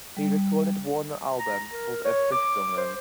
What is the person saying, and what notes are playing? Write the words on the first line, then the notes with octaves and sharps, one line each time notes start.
He recorded one album called "Erfrischungen".
G3
A#5
A#4
C#5
D6
C5